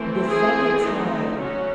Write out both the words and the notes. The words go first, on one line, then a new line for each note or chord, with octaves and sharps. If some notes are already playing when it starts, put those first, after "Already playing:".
the second time
Already playing: E3 A3 C4
G#4
D#4
F#3 A3 C#4 F#4